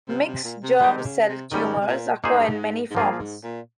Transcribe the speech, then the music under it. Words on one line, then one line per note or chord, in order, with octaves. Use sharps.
Mixed germ cell tumors occur in many forms.
C3 G3 C4 F4 C5
C3
A#2
C3
D#3 G3 G#3 D#4 G4
C3
C#3
C#3
C3
G#2 D#3 G3 C#4
C3
A#2
A#2 A#3 D#4 G#4 C5
G#2
G2
G#2
G#2
G2 F3 A#3 F4 G#4
A#2
G#2
A#2